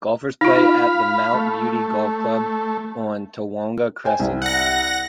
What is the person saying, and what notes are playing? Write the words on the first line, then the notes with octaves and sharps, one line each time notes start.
Golfers play at the Mount Beauty Golf Club on Tawonga Crescent.
D#4 F4 F5 B5
A3
C5 G5 G#5
C2
F#5 A#6